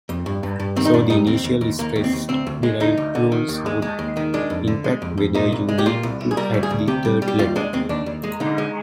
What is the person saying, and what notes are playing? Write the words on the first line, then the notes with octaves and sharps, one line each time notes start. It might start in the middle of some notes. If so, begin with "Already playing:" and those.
So the initial-stress-derived rule would impact whether you need to add the third letter.
F2
G2
G2
G2
D#3 C4
D#4
G2 D4
G2 D#4
D#2 C4
D#2
D#2
D#2 A#3
D#2
C4
D#2
D2 C4
D2
G#3
D2 D#4
D2
D3
D#3
D#2
G#3
G#3
D#2
D#3
G#3 D4
F2
D3
G#3
F2
F2
A#2 D#4
C2
G#3
G4
A#2 F4
C2
C2
G#4
G3 A#4
D2
G#4
D2
C3 G4
G3
G3
G4
D#2 F4
G#3 D4
D#2 C4
D#2 D4
D#2
G#3
D3 D#4
G#3